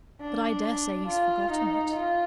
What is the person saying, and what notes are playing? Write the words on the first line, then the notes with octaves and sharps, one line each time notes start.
"But I dare say he's forgotten it."
D4
F4
D#4
F4